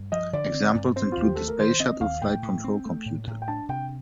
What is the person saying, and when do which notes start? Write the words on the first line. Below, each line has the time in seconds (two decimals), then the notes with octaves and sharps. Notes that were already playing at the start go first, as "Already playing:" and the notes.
Examples include the Space Shuttle flight control computer.
Already playing: G2
0.12 F3 D#5
0.33 D3 D5
0.54 C4
0.75 G2
0.96 C4 C5
1.12 F4
1.17 D#2
1.23 G4
1.35 A3 A4
1.48 A#4
1.59 D#3 C5
1.80 C4 D#5
2.01 D#2 F5
2.22 A2 G5
2.43 A2
2.64 C4
2.86 A3
3.06 A2
3.27 A2
3.42 G5
3.48 D4 A5
3.69 C3 G5